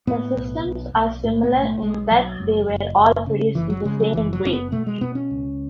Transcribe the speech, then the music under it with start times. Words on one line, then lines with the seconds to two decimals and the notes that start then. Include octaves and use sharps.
The systems are similar in that they were all produced in the same way.
0.07 A2 B3
0.36 B1
0.65 B1
0.94 B1
1.24 A2
1.43 B3
1.52 B1
1.63 A3
1.82 B1 G#3
2.11 B1 F#3
2.40 F#1
2.69 F#1
2.97 F#1
3.27 C#3
3.55 F#1 E3
3.70 F#3
3.84 C#3 G#3
4.00 F#3
4.13 F#1 E3
4.33 F#3
4.43 F#1 C#4
4.53 B3
4.72 B2 A3
4.87 G#3
5.01 B2 B3
5.15 C#4
5.31 C#2